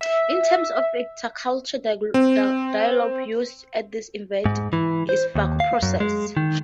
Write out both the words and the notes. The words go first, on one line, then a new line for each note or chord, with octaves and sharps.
The term for intercultural dialogue used at these events is Baku Process.
E5
C4
G#2
E3
C5
D#2
F5
F#2
G#3
D#3